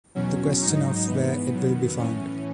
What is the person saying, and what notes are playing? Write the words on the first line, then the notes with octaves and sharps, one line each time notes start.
The question of where it will be found.
E2 B2 F#3 C#4
G#2 F#3 D#4
G#2 E3 B3
F#2 D#3 F#3
A2 E3 C#4